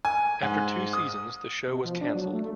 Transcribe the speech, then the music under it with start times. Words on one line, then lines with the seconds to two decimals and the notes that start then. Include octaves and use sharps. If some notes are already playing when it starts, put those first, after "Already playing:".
After two seasons the show was cancelled.
0.05 G#5
0.43 G#2
0.93 D#6
1.68 B2
1.85 F3
2.01 D4
2.15 F#3
2.33 A3